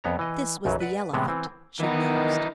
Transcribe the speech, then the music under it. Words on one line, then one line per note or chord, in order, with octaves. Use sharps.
"This was the elephant," she mused.
F2 B3 C#5 A#5
E3 D#5
B1 F#2 C#3 F#3
B4 D5 F#5
A2 C3 E3 G#3 B3
E3 C4
D#3 E3 B3 D#4